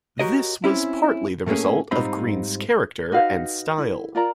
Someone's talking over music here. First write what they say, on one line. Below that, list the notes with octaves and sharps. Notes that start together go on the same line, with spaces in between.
This was partly the result of Greene's character and style.
F#4 G4 A#4 C#5 D#5
C4 C#4 E4
A2 A3 A#3 C#4 G#4
G#2 G3 C4 D#4 F4 B5
D#4 F#4 B4 F5
E4
F4 A#4 D5 A#5